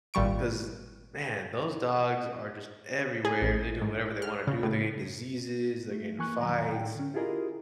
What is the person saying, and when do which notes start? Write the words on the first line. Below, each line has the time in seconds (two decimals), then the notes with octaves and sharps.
'cause, man, those dogs are just everywhere, they're doing whatever they wanna do, they're getting diseases, they're getting into fights.
0.14 G#1 A#2 G3 C#6 D7
3.25 G#4
3.42 A1
3.82 G#2
4.22 F6
4.47 C#3
4.63 A2
5.91 A3
6.19 E3 A#3 G#5 C#6 F#6
6.41 F2 D#3 F#3 G#5 A#5
6.72 A2 G5
6.96 D3 C#4
7.14 E4 F4 G4 G#4 A#4 D#5